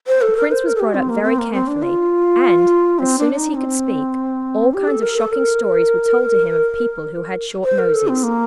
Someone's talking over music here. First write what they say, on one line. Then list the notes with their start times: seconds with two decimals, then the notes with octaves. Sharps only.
The Prince was brought up very carefully; and, as soon as he could speak, all kinds of shocking stories were told him of people who had short noses.
0.07 C5
0.22 A4
0.37 A#4
0.52 C5
0.66 A#4
0.76 A4
0.80 G4
0.94 C4
1.09 A#3
1.23 C4
1.39 A#3
1.53 C4
1.68 D4
1.82 F4
2.99 C4
3.19 D4
3.33 D4
3.37 D#4
3.57 C4
4.74 G4
4.88 A4
5.03 A#4
5.17 A4
5.32 A#4
7.64 C5
7.79 A#4
7.94 A4
8.08 C4
8.23 A#3